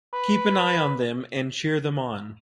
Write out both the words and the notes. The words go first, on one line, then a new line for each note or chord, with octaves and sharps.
Keep an eye on them and cheer them on.
B4